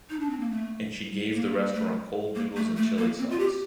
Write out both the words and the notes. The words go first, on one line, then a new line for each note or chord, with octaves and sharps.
And she gave the restaurant cold noodles and chili sauce.
D#4
D4
C4
A#3
A3
A#3
A3
A#3
A3
A3
A#3
C4
F4
G4